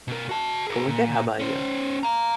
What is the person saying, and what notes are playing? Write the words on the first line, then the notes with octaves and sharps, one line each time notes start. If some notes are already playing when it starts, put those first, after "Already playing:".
Going good, how 'bout you?
B2 A#4
F#4 A5
G#4 A#4
A#2
C#4 C5
F5 A#5